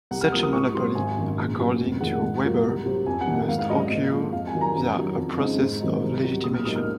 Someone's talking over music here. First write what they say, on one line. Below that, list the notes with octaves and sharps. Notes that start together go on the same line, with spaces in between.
Such a monopoly, according to Weber, must occur via a process of legitimation.
C2 F#5
F6
C3 F3 A#3 D#6
D#6
G#2 C#6
F#3 C4 C6
G#1 G#5
F#2 D#3
A#1
A#2 F#3 C#4
F1
F2 D#3 G#3 F#5
G#2
F#3 A#3 F4
C2
C3 F#3 C4
F2 G#5
F#5
D#3 A#3
F#5
G#2 F5
F5
F#3 C4 D#5
D#5
A#2
F3 G#3
F2 F5
G#5
D#3 F#3
A#5
F#2
D#3 F#3 C#4
F2
C#3 G#3 C4 D#4
G#2
D#3 F#3 C4 D#4
C2
C3 F#3
A#1 D#6
F6
G#2 F#3 A#3 D#4 D#6
F6